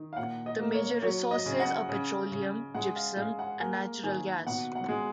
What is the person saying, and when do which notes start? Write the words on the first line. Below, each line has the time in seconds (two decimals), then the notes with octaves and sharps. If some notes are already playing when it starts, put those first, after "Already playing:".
The major resources are petroleum, gypsum and natural gas.
Already playing: D#3
0.13 F5
0.17 A#2 F#5
0.46 D#5
0.60 A#3
0.74 C#5
1.02 F#3 C#5
1.31 D#5
1.46 C#3
1.60 F#5
1.89 C#3
2.32 C#3
2.75 G#3 F#5
2.96 F5
3.17 G#3 F5
3.39 F#5
3.60 A#3 G#5
4.03 D#3 G#5
4.47 B2 F#5
4.75 F#5
4.88 G#3